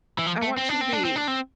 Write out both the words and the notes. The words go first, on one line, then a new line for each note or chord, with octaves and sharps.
I want you to be,
E3
F3
A3
C4
D4
C4
D4
C4
D4
C4